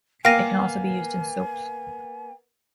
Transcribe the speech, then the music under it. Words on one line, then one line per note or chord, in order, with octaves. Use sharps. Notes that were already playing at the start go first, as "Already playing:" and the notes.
It can also be used in soaps.
A#3 B3 F5 G5 G#5 A#6 D#7